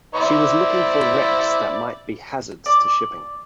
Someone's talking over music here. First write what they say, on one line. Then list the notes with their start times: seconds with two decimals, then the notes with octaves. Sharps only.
She was looking for wrecks that might be hazards to shipping.
0.15 E4 C5 D5
2.66 D5